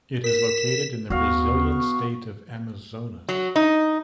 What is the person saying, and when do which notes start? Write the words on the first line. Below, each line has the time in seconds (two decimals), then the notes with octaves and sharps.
It is located in the Brazilian state of Amazonas.
0.24 A#4 B6 E7
1.10 D#2 B3 F#4 F5 C#6
3.29 F#3
3.56 D#4